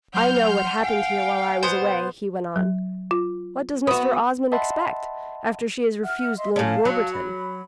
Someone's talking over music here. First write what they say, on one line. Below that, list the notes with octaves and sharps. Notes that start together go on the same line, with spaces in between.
"I know what happened here while I was away," he went on; "What does Mr. Osmond expect after she has refused Lord Warburton?"
F#3 F#5 C6 F6 G6
F5 G5 G#5
B2 B3 C5
F#3
F4
B3 F#4 D#6
D#5 E5 F#5 A5 B5 C6
E5 F#5 F6
D#5 E5 C6
A2 C#4 F5 A5
F#3
B5